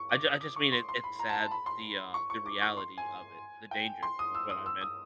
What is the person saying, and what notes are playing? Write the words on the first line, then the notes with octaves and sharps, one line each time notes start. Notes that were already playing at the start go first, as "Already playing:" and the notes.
I j I just mean it it's sad, the, uh, the reality of it, the danger is what I meant.
Already playing: C#6
D6
D#6
D6
C#6
C6
C6
B5
A#5
A5
B5
C6
C#6
C#6
D6
C#6
C6
G#5
G5
C6
D#6
E6
D#6
E6
D#6